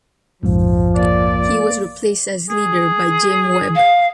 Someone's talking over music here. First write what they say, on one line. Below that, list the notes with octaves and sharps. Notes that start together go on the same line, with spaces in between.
He was replaced as leader by Jim Webb.
A#1 F2 G#2 F3
A#3 D5
G#4
F5